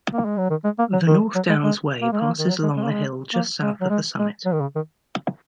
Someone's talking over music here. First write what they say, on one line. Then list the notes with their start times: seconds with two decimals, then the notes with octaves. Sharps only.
The North Downs Way passes along the hill just south of the summit.
0.12 A#3
0.25 G#3
0.37 F#3
0.50 D#3
0.64 G#3
0.79 A#3
0.93 F#3
1.07 D#3
1.35 F#3
1.49 G#3
1.64 G#3
2.01 A#3
2.12 G#3
2.22 A#3
2.38 D#3
2.49 F#3
2.63 G#3
2.77 G#3
2.84 A#3
2.91 G#3
3.33 A#3
3.62 G#3
3.81 F#3
3.90 G#3
4.19 G#3
4.45 F#3
4.53 D#3
4.61 C#3
4.75 D#3